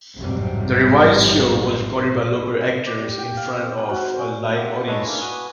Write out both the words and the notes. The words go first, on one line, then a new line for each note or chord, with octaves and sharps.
The revised show was recorded by local actors in front of a live audience.
A1 F2 G#2 C3 F#3 G3
D5
G4
G5
F5
C4
G#5
F#4
C5
C#4
F4 G4 A#4 E5 F#5
G#3 A3 A4 B4 C#5 D#5
A#3 C#4 D4 E4
F#4 B4 G#5 D#6